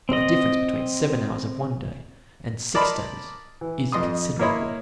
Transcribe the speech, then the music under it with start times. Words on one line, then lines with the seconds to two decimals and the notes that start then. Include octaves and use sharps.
But the difference between seven hours of one day and six days is considerable.
0.09 C4 D#5
2.74 A#4 D5 D#5 A5 B5 C6
3.61 E3
3.92 F2 D#5 C6 D#6
4.39 A#3 E4 C#5 D#5 B5 C6